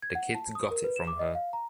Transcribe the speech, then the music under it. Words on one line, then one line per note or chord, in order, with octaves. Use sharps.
The kids got it from her.
G#6
F#5
A5
D#6
A#4
B4
E7
D6
D#5
F5
A#5